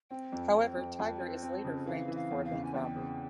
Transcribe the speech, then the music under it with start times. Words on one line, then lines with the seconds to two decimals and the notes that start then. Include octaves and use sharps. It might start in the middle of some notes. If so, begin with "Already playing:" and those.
However, Tiger is later framed for a bank robbery.
0.10 C4 G5
0.32 F2
0.55 C4
0.76 F2
0.99 F2
1.20 C4
1.43 C4
1.65 C#3
1.86 E3 F5
2.08 E3
2.16 F5
2.31 E2
2.45 F5
2.52 C#3
2.65 G#5
2.74 E2 G5
2.96 C#3